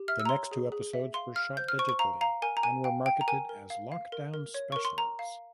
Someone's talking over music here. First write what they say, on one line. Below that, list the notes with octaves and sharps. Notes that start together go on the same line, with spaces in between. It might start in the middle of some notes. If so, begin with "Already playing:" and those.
Next two episodes were shot digitally and were marketed as lockdown specials.
Already playing: G4
E5 F6
E6
A#5
C#5 C6
G#4
G#4
E5
F5 C6
F5 F6
C5 G6
F6
C5 C#6
C#6
F5 A#5
F5 A#5
A#4 G#5
A#5
A#4 G#5
F5 G5
F5 G5
A#5
A#4 G#5
A#4
F5
F5
A#4
A#4
C#5
A#4 C#6
C6
A#4 A#5
F5